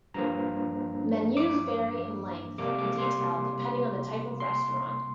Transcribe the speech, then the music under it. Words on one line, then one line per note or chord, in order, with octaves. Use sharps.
Menus vary in length and detail depending on the type of restaurant.
G2 F3 A#3 A#5
D6
C3 G3 A#3 D6
D6
C6
C6